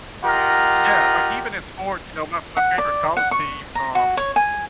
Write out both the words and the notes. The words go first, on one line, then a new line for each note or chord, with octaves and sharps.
Yeah, like, even in sports, you know, my my favorite college team, um
F4 G4 A#4 D#5 F#5 A#5
F#5
D5
F#5
C#6
A#5
F#4
C#5
G#5